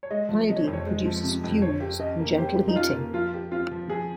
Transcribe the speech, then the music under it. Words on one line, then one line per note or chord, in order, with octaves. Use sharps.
Iodine produces fumes on gentle heating.
C#5
G#3 D#5
F3
C3 D#5
C#5
F2 C5
C#5
G#3 C5
F3
C3
F2
C5 C#5
G4
C#4 D#5
A#3
G4 C5
G4
D#4
C#4 F4
A#3
F3 F4
G4
C4 F4
F3
F3 G#4